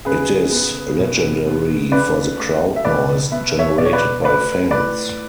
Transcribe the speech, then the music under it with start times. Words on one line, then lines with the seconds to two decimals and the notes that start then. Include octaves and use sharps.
It is legendary for the crowd noise generated by fans.
0.05 C#3 G#4 B4
0.52 B3
0.98 B2
1.46 B3
1.91 C#3 B4 D5
2.39 A3
2.76 E5
2.85 B2 B4 D5
3.32 B3 E5
3.59 C#5 E5
3.78 B2 D5
3.86 C#5
3.93 B4 D5
4.24 A3 B4 D5
4.71 A2 B4 D5